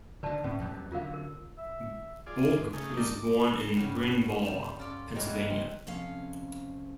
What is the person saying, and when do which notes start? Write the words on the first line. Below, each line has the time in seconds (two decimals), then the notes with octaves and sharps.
Bok was born in Bryn Mawr, Pennsylvania.
0.23 D3 D#3 B4 D5 A5
0.44 A2 C#4 B4
0.60 E2 F#3 G3
0.92 D3 F#3 F4 A#4 F5
1.14 A#4
1.58 E5
2.26 F4 G#4 D5
2.60 D2 G#2
2.73 C#3 A3 D#4 G#4
2.97 D#3 A3 G4 A#4 D5 D#5
3.13 D6
3.77 G2 C#3 B3
4.47 G3
4.79 C#4 F4 A4 D5
5.15 E2 G2 F#3 G#3 A#3 D#4
5.50 C4
5.87 F2 C3 C#4 F5